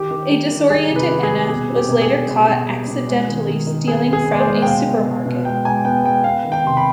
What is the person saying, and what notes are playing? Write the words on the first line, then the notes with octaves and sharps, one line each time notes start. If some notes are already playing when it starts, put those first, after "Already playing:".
A disoriented Ena was later caught accidentally stealing from a supermarket.
Already playing: D#3 G4
D#3
G3
D#3
G3 G#4
C3
B4
D#3
G#4
G3
B2 G#4
C4
G4
B2
G#4
G3
B2
B2
G3
B2
G#3
D#3
D#3
D#3
B3 G#4
B3
G#4
B3
D5
C5
G#3
G5
B2 F5
B2
B2
B2
G#3 G5
G#3 G#5
B3 G5
G#3 G5
B3 F5
D#3
G5
C3 C6
B5